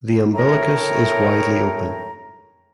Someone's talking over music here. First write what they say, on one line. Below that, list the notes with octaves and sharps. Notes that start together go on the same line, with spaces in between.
The umbilicus is widely open.
A2 A3 A#4 C#5 G5 A#5